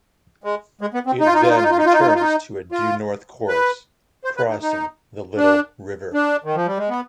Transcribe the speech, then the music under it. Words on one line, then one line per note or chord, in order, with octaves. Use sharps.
It then returns to a due north course, crossing the Little River.
G#3
G#3
B3
C4
D#4
F4
D#4
F4
D#4
F4
D#4
F4
D#4
F4
D#4
F4
D#4
F4
D#4
F4
B4
C5
B4
D#4
D#4
D4
D4
D#3
F3
G3
G#3
B3